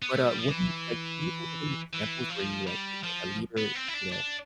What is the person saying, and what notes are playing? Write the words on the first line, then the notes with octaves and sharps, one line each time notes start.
But, uh, what do you, like, can you think of any examples where you like like a leader, you know,
B3
A3
G3
F3
E3
E3
F3
G3
F3
B3
C4
E4
D4
D4